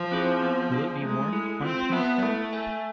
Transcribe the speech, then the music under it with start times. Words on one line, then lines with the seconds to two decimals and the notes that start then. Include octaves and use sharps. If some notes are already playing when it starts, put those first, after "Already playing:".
Will it be warm on Pink Hill?
Already playing: F3
0.12 C4 E4 G#4 C5
0.42 B3
0.72 D4 G#4
1.02 G#3 A3
1.33 E4 A4
1.62 C4 F4
1.92 B3 B4 E5 A5
2.22 A3 E4
2.53 A4 E5 G#5